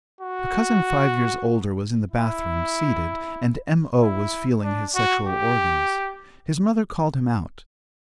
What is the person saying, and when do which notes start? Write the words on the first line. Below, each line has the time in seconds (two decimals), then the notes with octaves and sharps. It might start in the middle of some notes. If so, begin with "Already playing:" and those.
A cousin five years older was in the bathroom, seated, and M.O. was feeling his sexual organs; his mother called him out.
0.21 F#4
2.12 E4
4.01 E4
4.64 D4
4.95 F#4
5.27 G4